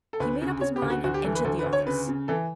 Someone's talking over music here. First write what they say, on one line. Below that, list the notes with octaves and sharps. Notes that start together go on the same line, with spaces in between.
He made up his mind, and entered the office.
A4
D2 B4
C#3
C#3 C#5
G4
D2
F#4
D2 F#4
G4
E3 A4
B4
D2 A4
B4
D2
C#5
C#3 B4
C#3
E3 A4